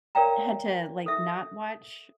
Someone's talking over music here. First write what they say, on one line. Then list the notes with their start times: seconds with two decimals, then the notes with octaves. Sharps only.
Had to, like, not watch
0.15 A#4 C#5 D5 F5 G5 A#5
1.06 A4 E5 D#6